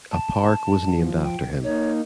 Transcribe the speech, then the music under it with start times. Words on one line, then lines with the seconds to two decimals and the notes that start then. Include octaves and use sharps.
A park was named after him.
0.11 A5
0.91 F3
1.23 G5
1.64 A#3 D#4 C#5